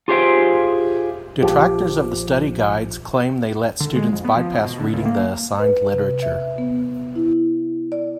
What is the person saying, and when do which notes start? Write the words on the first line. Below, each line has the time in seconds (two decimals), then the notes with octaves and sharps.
Detractors of the study guides claim they let students bypass reading the assigned literature.
0.08 F4 G4 G#4 C5 E5 G5
1.43 A#1 F3 G4
3.80 D3
3.96 G#3
4.12 F2
4.25 B3
4.36 F3
4.53 G#1
4.64 B2
4.80 D3
4.93 C#2
5.05 A#3
5.59 B4
5.92 C3
6.22 E5
6.58 B3
7.16 E4
7.92 D5